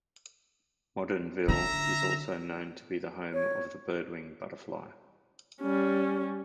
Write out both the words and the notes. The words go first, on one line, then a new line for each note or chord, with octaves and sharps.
Modanville is also known to be the home of the Birdwing butterfly.
D3 E5 A#5
C#5
G3 C#4